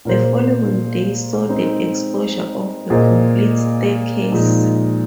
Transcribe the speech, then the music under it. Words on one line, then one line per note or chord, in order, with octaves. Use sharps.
The following day saw the exposure of a complete staircase.
A#2 A#3 G#4 C5
G#3 C4 D#4
A#2 A#3 G#4 C5 D#5
A#2 F3 G#3 D#4